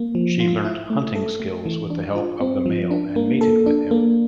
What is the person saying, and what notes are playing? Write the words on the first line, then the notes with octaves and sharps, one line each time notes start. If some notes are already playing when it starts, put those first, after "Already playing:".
She learnt hunting skills with the help of the male and mated with him.
Already playing: A#3
F3
F4
E4
A3
A4
A3
E3
D4
F4
C4
F3
D4
A#3
A4
D4
A#3